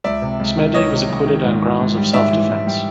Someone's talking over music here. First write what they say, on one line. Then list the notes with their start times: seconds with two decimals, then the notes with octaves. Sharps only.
Smedley was acquitted on grounds of self-defence.
0.04 C#2 D5 E5
0.22 C3
0.40 C#2
0.57 D#3
0.74 C#2 C#5 D#5
0.92 C3
1.09 C#2
1.26 D#3
1.44 G#2
1.62 E3
1.79 G#2
1.97 G3
2.13 G#2 D5 E5
2.31 E3
2.49 G#2
2.67 G3